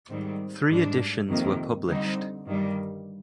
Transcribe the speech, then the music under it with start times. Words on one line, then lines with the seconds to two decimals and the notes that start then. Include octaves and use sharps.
Three editions were published.
0.09 G#2 D#3 G3 C4
0.68 G#2 G3 D4
1.28 F2 C3 D#3 A#3
1.86 D3 G3 C4 D#4
2.46 G2 D#3 G3